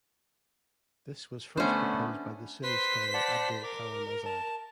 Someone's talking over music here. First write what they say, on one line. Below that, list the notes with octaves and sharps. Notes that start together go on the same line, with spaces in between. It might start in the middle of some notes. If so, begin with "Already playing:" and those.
This was first proposed by the Sunni scholar Abul Kalam Azad.
D3 A3 B3 C#4 D4 C5 E5
B4 C5 C6 B6
D5 F#5 A5
A#4 D6
A5